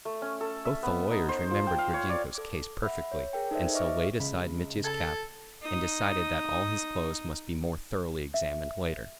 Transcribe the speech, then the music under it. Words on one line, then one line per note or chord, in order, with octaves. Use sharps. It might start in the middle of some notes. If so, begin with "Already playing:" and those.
Both the lawyers remembered Gridyenko's case perfectly, and so laid aside Mitya's cap, and decided that all his clothes must be more thoroughly examined later.
A3
C#4
A4
E5
B3
D#4
C5
F3
G5
F5
C#5
D5
A4 D6
E5 F#5 B5
C#5
G#4 A#4 G5
D#4 A4 C5 D5 E5
B4 D#5 E5 C#6 D6 F6
C#2 C#3 B5
A4 A5 G#6
D#4 D#6
E5